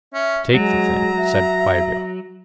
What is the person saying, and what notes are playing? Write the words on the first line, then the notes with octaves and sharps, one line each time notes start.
"Take the thing," said Kwairyo.
C#4 E5
F#3 G#3 A#5
E5